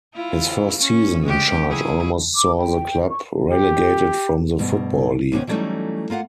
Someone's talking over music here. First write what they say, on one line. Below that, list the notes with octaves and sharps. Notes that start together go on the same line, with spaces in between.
His first season in charge almost saw the club relegated from the Football League.
E4 F4
C#4
G#3 C#4 G4
F#3 E4 G#4
D6
G5
C#6
G4
D2 G2 B2
D#2 C3 B3 C#4 C#5
E3 F#3 G3 A3 C#4 D#4
A#3 F4 F5 F#5